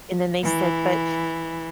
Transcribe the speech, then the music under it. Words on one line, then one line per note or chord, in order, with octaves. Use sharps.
and then they said, "But
E3